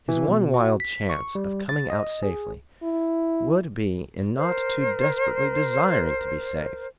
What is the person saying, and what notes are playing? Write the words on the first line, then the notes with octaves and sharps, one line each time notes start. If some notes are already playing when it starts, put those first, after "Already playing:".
His one wild chance of coming out safely would be in not too desperately desiring to be safe.
E3
B2
F#4
B6
C#6
G3
A6
D#5
G#4
E4
A#4 C5